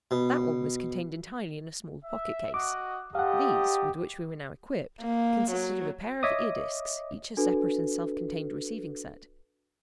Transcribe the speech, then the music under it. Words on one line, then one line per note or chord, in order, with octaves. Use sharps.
That one was contained entirely in a small pocket case. These, with which we were now equipped, consisted of a pair of ear discs, each a separate and self-contained receiving set.
B2
E5
F#4 D#5 D6
G4 A4 C5 D#5 F5 F#5
A#3
F#3
C#5 D#5 E5 D6 D#6
D4 F#4 A4 B4